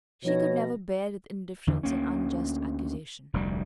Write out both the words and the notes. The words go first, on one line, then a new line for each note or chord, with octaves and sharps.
"She could never bear with indifference an unjust accusation."
B2 F3 D#4 C#5 A#6
E2 D3 D4
D2 A#3 C#4
F1 D2 G3